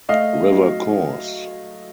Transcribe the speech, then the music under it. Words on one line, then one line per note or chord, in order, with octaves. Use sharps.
River Course!
A3 D#5 F5
F#3